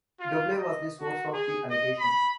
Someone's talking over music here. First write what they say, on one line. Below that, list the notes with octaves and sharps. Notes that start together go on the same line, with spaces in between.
Dobelle was the source of the allegation.
F4
D#5
F#4
G#4
D#5
B5